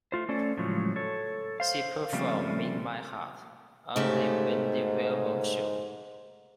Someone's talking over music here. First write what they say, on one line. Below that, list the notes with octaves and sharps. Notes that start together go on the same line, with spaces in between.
She performed "Make My Heart" on "The Wendy Williams Show".
A3 F4 C5
A3 C#4 A4 C5 D5
A2 C#3 F3 F#3 G#3
A4 C#5
C5 F5
C#3 F3 G3 A3 A#3 C4
G#2 C#3 A3 G4